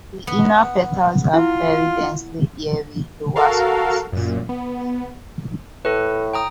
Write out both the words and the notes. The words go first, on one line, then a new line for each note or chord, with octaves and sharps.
The inner petals have very densely hairy lower surfaces.
B3
E4 F4
F#4 A4 A#4 F5
F#2 A#2
B3
A2 A4 B4
G5 A#5 D#6